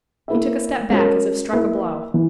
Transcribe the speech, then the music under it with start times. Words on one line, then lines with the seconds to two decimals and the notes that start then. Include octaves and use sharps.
He took a step back as if struck a blow.
0.28 A#3 E4 B4 E5
0.90 G#3 C#4 F#4 A#4
1.52 A#3 E4 B4 E5
2.14 E3